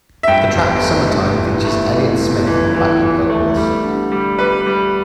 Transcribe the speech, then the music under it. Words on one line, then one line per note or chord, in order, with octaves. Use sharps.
The track "Summertime" features Elliott Smith on backing vocals.
E5
G2 G5
G1
A3
G2
E3
A3
E3
G1
E3
E3
E3
A3
G3
D3
G3
G3 B4
G3